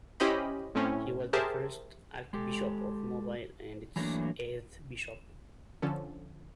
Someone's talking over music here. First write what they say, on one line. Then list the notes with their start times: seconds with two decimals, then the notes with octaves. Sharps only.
He was the first Archbishop of Mobile and its eighth bishop.
0.20 C#4 E4 G4 C5 D#5 B5
0.75 A2 C4 C#4
1.33 G4 G#4 A#4 C5 E5 A5
2.33 G#3 G4 A4
3.96 E3 F#3 A3 A#3 D4
5.82 D3 F3 C#4 A4